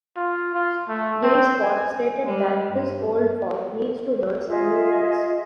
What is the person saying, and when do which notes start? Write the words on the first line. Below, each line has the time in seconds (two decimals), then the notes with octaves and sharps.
GameSpot stated that This old fog needs to learn some new tricks.
0.16 F4
0.54 F4
0.88 A3
1.23 C4
1.62 G#5
2.26 G3 G#3
2.71 G2
4.47 F4 G#4 D#5 E5